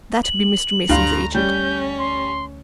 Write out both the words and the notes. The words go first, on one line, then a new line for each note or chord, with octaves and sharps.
That be Mr. Mason's agent.
F#7
D2 G2 F5 A#5 C6
G3 C#4 G6
C6